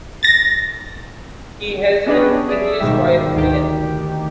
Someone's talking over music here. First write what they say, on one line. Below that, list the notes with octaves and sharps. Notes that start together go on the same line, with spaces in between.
He has an English wife, Helen.
A6 A#6
B3 C#4 D4 G4 G#4 B4
G#4 D5 E5
G#2 B2 D#3 G3 G4 E5
D2 D#3 G4